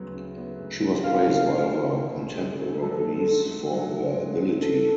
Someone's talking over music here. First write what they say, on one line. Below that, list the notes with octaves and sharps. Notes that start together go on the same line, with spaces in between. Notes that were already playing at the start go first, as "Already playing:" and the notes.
She was praised by her contemporaries for her ability.
Already playing: D2 C#3 F#3 B3
C#3
B3
D2
F#3
B2 F5
C#2
C#2
A3
B2
C#2
C#2
A3
F#3 A4
G#2
G#2
A3
F#3
G#2
G#2
A3
B3 A4